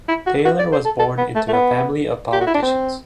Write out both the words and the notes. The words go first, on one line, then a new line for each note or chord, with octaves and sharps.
Taylor was born into a family of politicians .
E4
F#4
F#4
D5
C5
A4
A4
B3
A3
A3
B3
G4
F#4
E4
D4
C4